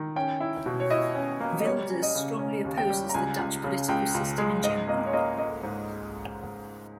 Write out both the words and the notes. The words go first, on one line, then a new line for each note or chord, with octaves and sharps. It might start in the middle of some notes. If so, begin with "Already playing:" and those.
Wilders strongly opposes the Dutch political system in general.
Already playing: D#3
C#4 G5
E4
B2
C#5
E4 D#5
C#4
A#3
D#5
G3 C#5
C#4
D#5
C#3
C#4
D#2
G5
G3
A#5
C#2 G#5
C#2
C#3
C#2 G5
C#2
G#3
G#2 D#5
A#3 D#5
C#5
A#3 D#5
A#3 D#5
G#2